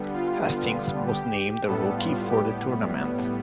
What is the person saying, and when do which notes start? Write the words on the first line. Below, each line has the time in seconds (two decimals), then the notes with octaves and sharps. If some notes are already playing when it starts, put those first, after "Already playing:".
Hastings was named Rookie of the Tournament.
Already playing: D3 G3 B3
0.13 F4
0.44 F4
1.06 G4
1.66 A2 G3 B3 A4
1.96 F4
2.28 G4